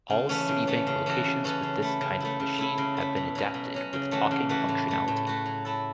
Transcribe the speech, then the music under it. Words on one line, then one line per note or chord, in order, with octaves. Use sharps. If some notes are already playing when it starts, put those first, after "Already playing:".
All Citibank locations with this kind of machine have been adapted with talking functionality.
C#3
E3 A3 C#4
C#3
E3 A3 C#4
C#3
E3 C#4 F#4 A4
C#3
E3 C#4 F#4 A4
C#3
A3 E4
C#3
A3 E4
C#3
A3 E4
C#3
A3 E4
B2
F#3 C#4
B2
F#3 C#4
C#3
E3 A3 F#4
C#3
E3 A3 F#4
A2
A3 F#4
A2
A3 F#4
F#3
A3 E4 A4